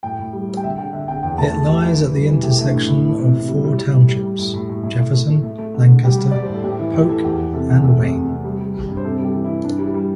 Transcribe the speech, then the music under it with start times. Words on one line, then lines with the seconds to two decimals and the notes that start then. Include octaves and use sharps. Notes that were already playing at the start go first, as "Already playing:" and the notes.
It lies at the intersection of four townships: Jefferson, Lancaster, Polk and Wayne.
0.03 A2 G5
0.19 A2
0.33 G3
0.49 G3
0.57 G5
0.64 D3 E5
0.78 D3 G5
0.93 D3 E5
1.08 D3 G5
1.23 E2 G5
1.38 A3 A5
1.53 A3
1.68 A3 G4
1.83 E3 E4
1.98 E3
2.14 G3
2.29 E3
2.43 A3 G4
2.58 A3
2.64 D4
2.74 A2
2.83 E4
2.88 A2
3.03 E3 E4
3.18 C3
3.34 C3
3.48 G3
3.64 G3 E4
3.78 G3
3.93 A2
4.09 G3
4.23 G3
4.39 A2
4.54 A2
4.69 A2
4.83 A2 E4
4.99 A3
5.13 A3
5.29 A3
5.43 A3
5.58 A3
5.74 D3
5.88 D3
6.04 G3 G4
6.18 G3
6.31 G3 D5
6.42 C5
6.49 A2 A4
6.64 A2 G4
6.79 E3 E4
6.94 A2 G4
7.09 E3 A4
7.23 E2 G4
7.39 E2
7.53 C3 A4
7.69 E2
7.84 A3 A4
7.99 C3
8.14 C3
8.29 C3
8.44 G3
8.59 G3
8.74 G3
8.89 G2
8.97 C5
9.04 C3 A4
9.17 G3 A4
9.25 G4
9.34 E3
9.44 E4
9.49 E3
9.64 G2 D4
9.79 G3 E4
9.94 G3